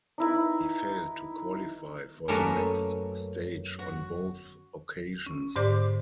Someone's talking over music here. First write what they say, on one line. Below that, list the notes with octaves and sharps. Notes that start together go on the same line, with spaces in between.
He failed to qualify for the next stage on both occasions.
D#4 E4 B4
F#2 A3 A#3 C#4 B4 D#5
F#4
C#4
G#2 D3 G4 C5 D5 D6